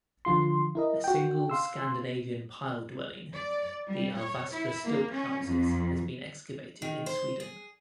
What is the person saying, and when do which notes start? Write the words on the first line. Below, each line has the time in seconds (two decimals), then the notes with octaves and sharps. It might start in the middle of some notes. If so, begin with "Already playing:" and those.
A single Scandinavian pile dwelling, the Alvastra stilt houses, has been excavated in Sweden.
0.25 D3 F3 F4 C6
0.75 E4 A#4 D#5
1.04 F#4 G5
1.50 F5 C6 E6
3.34 D5
3.88 G3
4.17 C#5
4.53 E4
4.85 A#3
5.15 C#4
5.47 F2
6.82 D#3
7.06 C5
7.40 G#4